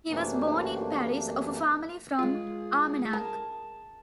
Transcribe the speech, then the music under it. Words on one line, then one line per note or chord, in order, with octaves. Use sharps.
He was born in Paris, of a family from Armagnac.
F#2 C3 E3 A3 A#3 D4
G#3 F4 G#4
A#4 A5